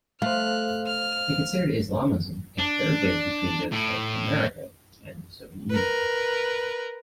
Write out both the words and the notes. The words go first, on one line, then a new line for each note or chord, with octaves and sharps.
They considered Islamism a third way between those of America and the Soviet Union.
A3 C5 F5 F6 F#6
F6
D4
A2
A#4 B4